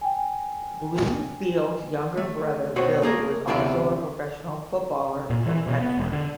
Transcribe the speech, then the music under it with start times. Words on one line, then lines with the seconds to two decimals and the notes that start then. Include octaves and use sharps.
Bloomfield's younger brother Billy was also a professional footballer for Brentford.
0.01 G5 G#5
2.17 A3
2.76 B2 F#4 C5 C#5
3.02 A3 A#3 G#4 A#4
3.47 D2 C3 F3 B3 E4 D5
5.30 A#2
5.46 E3
5.67 B2
5.82 B3
5.97 E1
6.12 D3